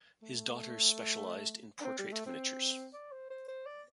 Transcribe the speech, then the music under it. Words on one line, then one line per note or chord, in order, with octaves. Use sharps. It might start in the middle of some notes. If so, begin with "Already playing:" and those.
His daughters specialized in portrait miniatures.
A3
D4
C4
G3
A3
C4
D5
C5
C5
C5
D5